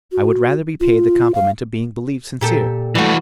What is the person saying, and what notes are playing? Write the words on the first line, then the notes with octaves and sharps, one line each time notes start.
I would rather be paid the compliment of being believed sincere.
F#4
F4
F5
A#2 G4 A4
E3 G3 A3 F#4